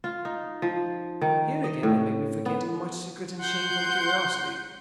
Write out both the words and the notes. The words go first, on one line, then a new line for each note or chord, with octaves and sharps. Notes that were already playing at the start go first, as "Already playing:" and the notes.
Here again I may be forgetting much secret and shameful curiosity.
F4
D#4
F3
D#3
D#5
A2
B3
F#5 C6 G6